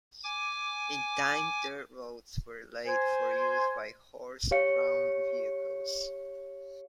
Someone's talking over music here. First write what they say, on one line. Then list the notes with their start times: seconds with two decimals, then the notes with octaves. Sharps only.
In time, dirt roads were laid, for use by horse-drawn vehicles.
0.24 G#5 D6
2.87 C5 G#5
4.51 G4 C#5 F5 C#7